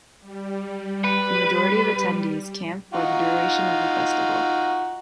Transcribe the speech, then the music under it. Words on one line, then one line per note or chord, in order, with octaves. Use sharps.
The majority of attendees camp for the duration of the festival.
G3
B4
D#4 F4 F#4